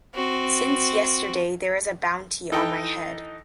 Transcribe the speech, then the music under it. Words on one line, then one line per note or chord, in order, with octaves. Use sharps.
Since yesterday there is a bounty on my head.
C4 F#4
E3 D#4 A4 G5